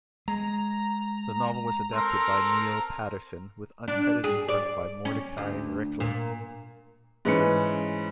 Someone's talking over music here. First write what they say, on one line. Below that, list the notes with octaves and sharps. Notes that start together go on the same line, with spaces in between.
The novel was adapted by Neil Paterson with uncredited work by Mordecai Richler.
G#3 A#5
C4 A4 A#4 C6
D4
G#4
D5
C#4
D2
A#2
G#2 E3 C#4 B4 B5 C#7